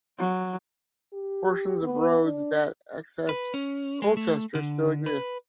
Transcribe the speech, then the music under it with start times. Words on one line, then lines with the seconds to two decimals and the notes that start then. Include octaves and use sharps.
Portions of roads that accessed Colchester still exist.
0.18 F#3
1.14 G4
1.83 B3
2.24 D4
3.29 B4
3.54 C#4
4.02 G#3
4.17 A3
4.55 D3
5.06 B4